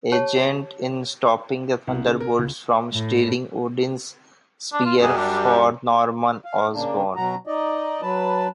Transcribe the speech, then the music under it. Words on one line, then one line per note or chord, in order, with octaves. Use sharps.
Agent in stopping the Thunderbolts from stealing Odin's spear for Norman Osborn.
G4 C#5 A5
C2
C#3
A#4
C#2
A2
D4
F4
F#2 G3 G#4
D4
F5
C#3 A#3 D4
B2 F#3 F#4 A#5
D#4 D5 D#5
F#3 B4 A5